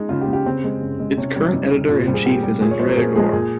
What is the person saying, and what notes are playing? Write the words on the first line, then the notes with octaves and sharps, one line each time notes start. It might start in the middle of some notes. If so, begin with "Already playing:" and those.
Its current editor-in-chief is Andrea Gore.
Already playing: G#3 D#4
C#3 F4
G4
G#3
G4
C#3 C4
G#3
C#3
G#3
C3 C#4
G3
C3 D#4
G3
A#2 F4
C5
G3
G#4
A#2 G4
G3
A#2 G#4
C#5
F3 G#3 C5
A#4
A#2 G#4
F3 G#3 G#4
A#2 G#4